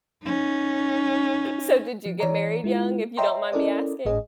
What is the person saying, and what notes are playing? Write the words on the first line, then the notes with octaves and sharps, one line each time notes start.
So, did you get married young? If you don't mind me asking?
C#4 D#4
F3
E3 C#5 D5 A#5
G#3 E4 F4
C#5 D#5 E5 G5 A#5 C6
C#4 E4 A4 A#4 D5 D#5
G#1 A2 G#4 D#5